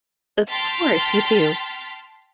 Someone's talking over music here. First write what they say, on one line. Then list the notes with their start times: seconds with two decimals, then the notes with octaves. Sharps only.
Of course, you too.
0.50 G5 A5 C6 F6 A6 B6